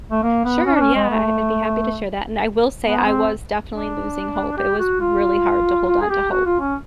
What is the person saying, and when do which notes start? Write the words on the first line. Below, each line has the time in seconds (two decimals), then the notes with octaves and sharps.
Sure, yeah. I I'd be happy to share that. And I will say I was definitely losing hope; it was really hard to hold on to hope.
0.11 A3
0.23 A#3
0.44 B3
0.66 C#4
0.76 D4
0.80 C#4
0.95 G#3
1.10 A3
2.83 B3
3.05 C4
3.71 D4
4.57 G4
4.79 F#4
5.00 F4
5.88 F4
6.01 G#4
6.09 G4
6.31 F#4
6.45 F4
6.60 C#4